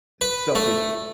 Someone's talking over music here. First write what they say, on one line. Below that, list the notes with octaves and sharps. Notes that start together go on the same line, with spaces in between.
eh, selfish,
B4
A3